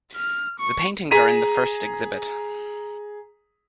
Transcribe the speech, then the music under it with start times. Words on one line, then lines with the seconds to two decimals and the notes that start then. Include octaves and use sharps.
The paintings are in the first exhibit.
0.16 F6
0.60 C#6
1.11 G#4 A#5 B6 D#7